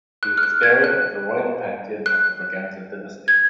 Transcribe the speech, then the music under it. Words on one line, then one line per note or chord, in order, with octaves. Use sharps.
He is buried at the Royal Pantheon of the Braganza Dynasty.
F#6
F6
F#6
G#6
F#6
F#6
G#6